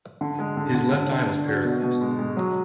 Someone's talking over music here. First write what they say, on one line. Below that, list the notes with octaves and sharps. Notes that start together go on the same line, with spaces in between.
His left eye was paralyzed.
D3
G#3
D3
D3
D3
D4
D4
F#4
B2
B2
G#3
G#3
F#3